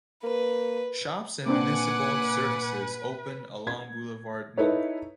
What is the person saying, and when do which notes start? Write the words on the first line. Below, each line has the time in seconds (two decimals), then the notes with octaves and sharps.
Shops and municipal services opened along Boulevard Monk.
0.23 A#3 B4
1.46 A#2 A#3 C4 D4 B4 F#5 G#5 D6
3.67 G#6
4.58 D#4 E4 A4 B4 C#5